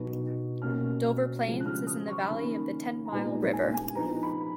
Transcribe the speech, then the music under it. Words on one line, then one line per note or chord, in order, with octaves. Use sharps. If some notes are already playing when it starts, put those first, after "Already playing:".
Dover Plains is in the valley of the Ten Mile River.
Already playing: B2 F#3 B3 D#4
B2 A#3 C#4 F6
C#3 F3 G#3
F#6
F6
D#6
C#6
D#3 A#3 C#4 B5
A#5
A#2 G#3 B3 D#4 G#5
G#5
G#5
F3 B3 D#4 A#5
B5